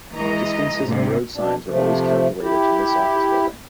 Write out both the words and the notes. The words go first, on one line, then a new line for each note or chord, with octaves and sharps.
Distances on road signs are always calculated to this office building.
E3 G#3 D#5 A#5
D2 G#2 C3
B2 D4
C3 F3 A3
E4 G4